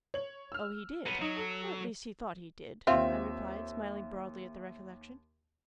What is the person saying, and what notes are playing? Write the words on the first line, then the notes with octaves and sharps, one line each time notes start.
"Oh, he did--or at least he thought he did," I replied, smiling broadly at the recollection.
C#5 F#7
E6 F6
F#3 B3
F#3 D#4
A4
D#2 C4 F4 E5